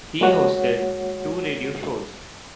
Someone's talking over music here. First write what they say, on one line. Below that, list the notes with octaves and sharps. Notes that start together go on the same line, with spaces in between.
He hosted two radio shows.
G#3 A#3 F#4 C#5 F#5